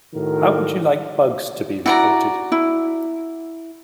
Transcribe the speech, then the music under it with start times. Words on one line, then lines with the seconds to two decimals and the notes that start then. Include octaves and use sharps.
How would you like bugs to be reported?
0.14 A2 D#3 F#4 A#4
1.86 E4 F#4 D5 A#5
2.52 E4